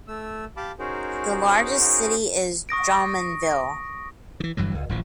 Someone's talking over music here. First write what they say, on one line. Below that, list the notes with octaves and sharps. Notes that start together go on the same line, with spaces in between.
The largest city is Drummondville.
A3 E6
G4 F5 A5 B5 D6
C#4 D#4 F#4 G#4 A#4 C5
C#6 D#6 A#6 D7
D#3 E3
G1 G2 E3 F#3
C#2
D1 A1 F3